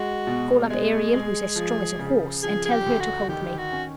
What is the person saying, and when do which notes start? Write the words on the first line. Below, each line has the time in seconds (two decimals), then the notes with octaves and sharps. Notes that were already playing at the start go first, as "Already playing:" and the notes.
Call up Ariel, who is as strong as a horse, and tell her to hold me.
Already playing: G#3 F#4
0.27 B2
0.70 G#3 G#4
1.14 G#3
1.56 F3
1.99 C#3
2.43 F3 G#4
2.66 G#4
2.71 G4
2.86 D2
3.00 F#4
3.28 D#3 G4
3.58 F#4
3.72 C#4